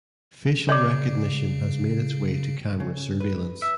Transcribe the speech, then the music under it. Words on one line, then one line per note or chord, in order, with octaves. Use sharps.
Facial recognition has made its way to camera surveillance.
C#3 C#5 D5 D6
C#3
B4
E5